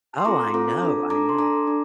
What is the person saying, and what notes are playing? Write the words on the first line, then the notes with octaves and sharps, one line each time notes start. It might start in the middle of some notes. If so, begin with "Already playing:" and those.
Oh, I know, I know.
C6
C4 F4 A4 A#5 D6
C4 F4 A4 A#5 D6
D4 A4
D4 A4 A#5 D6
C6
D4 A4 A#5 D6
D4